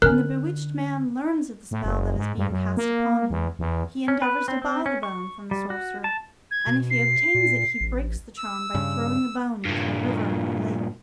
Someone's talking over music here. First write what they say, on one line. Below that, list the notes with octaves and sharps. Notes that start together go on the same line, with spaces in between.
When the bewitched man learns of the spell that is being cast upon him, he endeavours to buy the bone from the sorcerer, and if he obtains it he breaks the charm by throwing the bone into a river or lake.
D3 C#4 A#4 F#6
A2
F#1
G#2
G2
F#2
A#3
E2
E2
C#4
B4
C4
C4
C#4
C#6
G3
F#4
A5
G#6
B2
C7
A#2
A1
E6
G2 C#3
G2 A#2